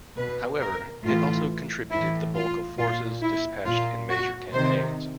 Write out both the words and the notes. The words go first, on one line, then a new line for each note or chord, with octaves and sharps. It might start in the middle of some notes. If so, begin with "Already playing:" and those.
However, it also contributed the bulk of forces dispatched in major campaigns.
B2 B4
A#4
A2 E3 F4
A2 E3 E4
F4
A#2 F4
E4
A#2 F4
F#4
C3 D#3 C5